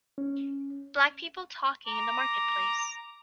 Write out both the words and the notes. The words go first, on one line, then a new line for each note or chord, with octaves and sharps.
Black people talking in the marketplace.
C#4
A#5 D6